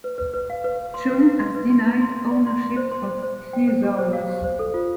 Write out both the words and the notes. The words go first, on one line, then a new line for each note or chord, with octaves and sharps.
Cheung has denied ownership of Thesaurus.
B4
B4
B4
F5
B4
B4
C6
B4
B4
C6
B4
C6
B4
C6
C6
D5
C6
C6
C5
C6
C5
C5
C5
G5
C5
G4
C5
F5
G4
C5
A4
F4